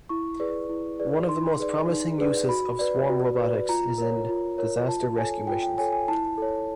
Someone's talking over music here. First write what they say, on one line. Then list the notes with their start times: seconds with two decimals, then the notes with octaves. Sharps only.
One of the most promising uses of swarm robotics is in disaster rescue missions.
0.09 E4 C#6
0.40 G#4 B4 D5
0.69 E4
1.00 G#4 B4 D5
1.29 D#4 C6
1.60 G#4 B4 D5
1.89 D#4
2.18 G#4 B4 D5
2.49 F#4 B5
2.79 B4 D5
3.09 F#4
3.39 B4 D5
3.69 F4 A#5
3.98 A#4 C#5
4.29 F4
4.58 A#4 C#5
4.88 F4 A5
5.18 A4 C#5 G#5
5.47 F4 G5
5.63 G5
5.78 A4 C#5 G#5
5.93 G#5
6.08 E4 A5
6.38 A4 C#5